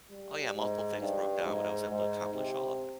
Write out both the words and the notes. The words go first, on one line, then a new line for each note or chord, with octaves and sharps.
Oh, yeah, multiple things broke down, but I was able to accomplish all of that.
G3
G#2
G2
G#2
G#2
C3